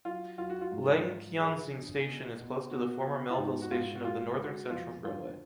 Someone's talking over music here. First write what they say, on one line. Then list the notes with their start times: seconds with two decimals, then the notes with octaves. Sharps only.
Lengquanxiang station is close to the former Melville station of the Northern Central Railway.
0.05 F#3 F4
0.38 F#3 F4
0.50 F#4
0.61 F4
0.71 G#2
1.05 F3
1.38 F3 G#4
1.72 D3
2.05 B2
2.38 B2
2.71 B3 F#4
3.04 B3
3.30 F4
3.38 G#2 D#4
3.62 F#4
3.71 G#2 F4
3.95 F#4
4.04 G#3 F4
4.38 G#3 F#4
4.71 F2 F4
5.04 D3 F4